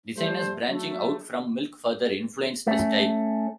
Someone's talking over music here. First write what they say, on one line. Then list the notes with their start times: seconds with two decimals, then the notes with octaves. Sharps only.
Designers branching out from Milk further influenced the style.
0.17 G3 A3 C5
0.69 F#3 A3
2.67 A3 C#4